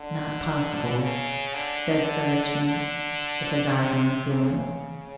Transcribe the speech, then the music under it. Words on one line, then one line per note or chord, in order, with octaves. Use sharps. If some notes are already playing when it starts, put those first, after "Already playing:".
"Not possible," said Sir Richmond, with his eyes on the ceiling.
Already playing: D3
C#3
D3
D3
C3
C#3